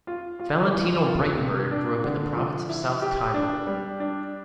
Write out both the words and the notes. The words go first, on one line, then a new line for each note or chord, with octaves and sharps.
Valentino Braitenberg grew up in the province of South Tyrol.
F4
F4
E3
F4
C3
D4
D3
F3
E4
G4
D4
G3
D4